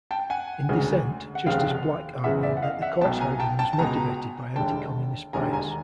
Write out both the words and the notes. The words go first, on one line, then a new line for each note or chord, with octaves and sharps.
In dissent, Justice Black argued that the Court's holding was motivated by anti-communist bias.
G5 A5
F#5 G#5
E1 D2 C#3
F#5
F1 D#2 C#3 F5 G5
F#1 E2 C#3 E3 E5 F#5
D5 E5
F#5
D#5 F5
E5 F#5
B1 B2 G5 A5
G#5 A#5
G5 A5
G5 A5
A5
C#2 B2 G#5 A#5
E1 D#2 D3 G5 A5
E1 D#2 D3 G#5 A#5
G#5 A#5